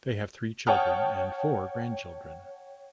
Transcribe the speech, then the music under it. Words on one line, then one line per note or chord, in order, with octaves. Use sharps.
They have three children and four grandchildren.
C#5 F#5 G5 A5 D#6 F6